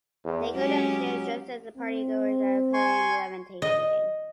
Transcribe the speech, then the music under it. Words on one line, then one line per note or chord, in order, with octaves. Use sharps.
They go downstairs just as the party-goers are playing a levitation game.
E2
F#3 G#3 C#4 G4
C4
G#5 C6 C#6
D#5